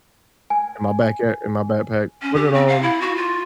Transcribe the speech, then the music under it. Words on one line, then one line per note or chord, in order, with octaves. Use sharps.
in my back a in my backpack, put it on,
G#5
C#4
G4
C4
F5
E4
F#4
F4